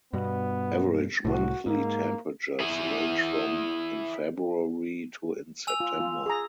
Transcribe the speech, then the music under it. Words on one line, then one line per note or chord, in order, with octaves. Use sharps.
Average monthly temperatures range from in February to in September.
G2 B2 B3
C2 A2 F#4
G#2 A#3
E4 G#4
G#5 E6 F7
F4
F4
G#4 A#5